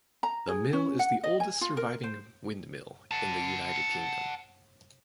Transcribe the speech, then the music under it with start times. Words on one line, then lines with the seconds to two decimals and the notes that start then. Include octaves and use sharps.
The mill is the oldest surviving windmill in the United Kingdom.
0.23 A#5
0.48 G#4
0.73 C#4
0.99 F#5
1.23 D#5
1.40 G#5
1.61 F4
1.77 A#4
2.03 C5
3.11 F#5 A5